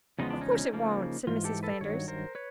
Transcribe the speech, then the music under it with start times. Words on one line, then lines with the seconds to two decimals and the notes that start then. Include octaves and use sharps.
"Of course it won't," said Mrs. Flanders.
0.19 E2 C#3 F3 G#3 B3 D#4
0.30 D4
0.41 C#4 D#4
0.73 C#3 F3 A#3
1.27 G#2 E3 F4
1.44 G4 A4
1.63 A4 B4
1.80 G2 D#3 F#3 C#5
2.08 A#4 C5
2.35 B4 C#5